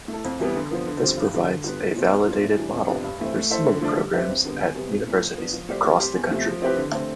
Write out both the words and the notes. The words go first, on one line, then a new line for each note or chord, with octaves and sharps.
This provides a validated model for similar programs at universities across the country.
A3 E4 A4
F2
E3 G3 B3
D3
F3 B3
D3
G3 C4 F4
G2
D3 G3
D3
G3 B3 F4 B4
E2
B2 A3 C4 F4
C3
G3 B3 D4 F4
A2
E3 G3 D4
F2
C3 F3 B3 D4
G2
E3 A3 C4
A3
E4 A4 C5 E5
D3
F3 A3 D4 A4
G3
C4 G4 B4 E5
F2
D3 G3 B3
E2
C3 G3 B3
F2
E3 A3 E4
F3
B3 D4
F3
A3 C4 G4 D5
G3
C4 G4 C5
E2
C3 F3 A3
F3
C4 E4 G4 B4
D3
A3 C4